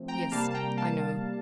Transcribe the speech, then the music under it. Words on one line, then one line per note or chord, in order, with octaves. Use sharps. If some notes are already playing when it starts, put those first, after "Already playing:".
Yes, I know.
Already playing: C3 F3 A3 C4
G5 A#5
C3 G3 A#3 F5 A5
A5
G5 A#5
F5 A5